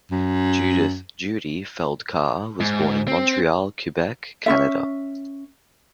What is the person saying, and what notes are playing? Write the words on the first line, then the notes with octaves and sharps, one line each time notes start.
Judith "Judy" Feld Carr was born in Montreal, Quebec, Canada.
F#2
G#2
C4
C#4 F4 E5